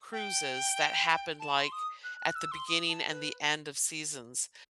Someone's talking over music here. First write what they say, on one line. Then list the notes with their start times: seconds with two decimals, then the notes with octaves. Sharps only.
cruises that happen, like, at the beginning and the end of seasons.
0.13 G5
1.40 A5
1.56 C6
1.72 D#6
2.04 F#6
2.19 F#6
2.35 E6
2.52 C6
2.68 D#6
2.88 A5
3.09 B4